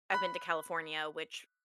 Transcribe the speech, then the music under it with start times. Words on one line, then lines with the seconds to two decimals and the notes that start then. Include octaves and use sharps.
I've been to California, which,
0.12 B5 F#6